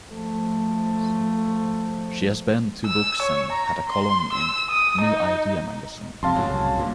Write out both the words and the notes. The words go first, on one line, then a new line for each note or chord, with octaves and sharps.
She has penned two books and had a column in "New Idea" magazine.
F3 A3
E6
C#5
A#5
C6
E6
D#6
D#4
F2 C3 F5 A5 C6
F2 A2 C#3 F#3
C2
G2 A#2